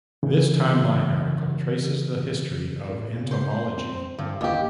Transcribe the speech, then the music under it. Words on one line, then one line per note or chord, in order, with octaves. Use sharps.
This timeline article traces the history of entomology.
C#3 E3
A2
C#3
C5
C4
G2 D3
E1 D#2 G4